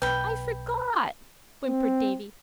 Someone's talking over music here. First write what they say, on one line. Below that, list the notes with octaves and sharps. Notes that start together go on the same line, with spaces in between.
"I forgot," whimpered Davy.
B1 B4 G5 B5
C4